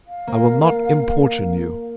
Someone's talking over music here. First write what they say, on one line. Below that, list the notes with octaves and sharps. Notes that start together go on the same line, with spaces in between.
I will not importune you.
F5
A#3